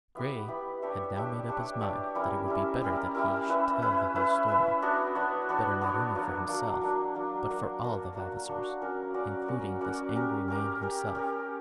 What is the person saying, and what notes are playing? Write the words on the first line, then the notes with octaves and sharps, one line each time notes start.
Grey had now made up his mind that it would be better that he should tell the whole story,--better not only for himself, but for all the Vavasors, including this angry man himself.
B3 E4 G4 B4
B3 E4 G4 B4
D4 G4 C#5 E5
D4 G4 C#5 E5
D4 G4 C#5 E5
D4 G4 C#5 E5
G3 C#4 E4 A#4
G3 C#4 E4 A#4
G3 C#4 E4 A#4
G3 C#4 E4 A#4
C#4 E4 B4 E5
C#4 E4 B4 E5
C#4 E4 B4 E5
C#4 E4 B4 E5
B3 D4 F#4 C#5
B3 D4 F#4 C#5
B3 D4 F#4 C#5
B3 D4 F#4 C#5
F#3 A#3 D4
F#3 A#3 D4
F#3 A#3 D4
F#3 A#3 D4
A#3 D4 F#4
A#3 D4 F#4
A#3 D4 F#4
A#3 D4 F#4
C#4 F#4 A#4 D5
C#4 F#4 A#4 D5
C#4 F#4 A#4 D5
C#4 F#4 A#4 D5
C#4 G4 A#4
C#4 G4 A#4
C#4 G4 A#4
C#4 G4 A#4